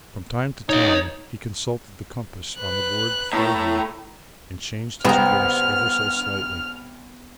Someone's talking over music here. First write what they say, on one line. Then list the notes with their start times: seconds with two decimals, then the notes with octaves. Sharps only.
From time to time he consulted the compass on the board before him, and changed his course ever so slightly.
0.69 D#4 C#5 D#5
2.58 B4 F#6
3.33 A2 A#5
5.05 C2 B3 C4 A#5 F6